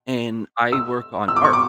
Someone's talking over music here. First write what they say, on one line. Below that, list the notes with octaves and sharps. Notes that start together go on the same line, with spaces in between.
And I work on art.
E6
E6
D6
C#6
D6